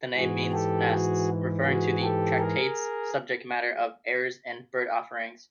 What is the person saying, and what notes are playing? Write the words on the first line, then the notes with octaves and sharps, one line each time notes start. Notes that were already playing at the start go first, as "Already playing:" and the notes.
The name means "nests", referring to the tractate's subject matter of errors in bird-offerings.
G#2 E3 F#4 G#4
G4 A4
F#4 G#4
F#4 G#4
G4 A4
G#4 A#4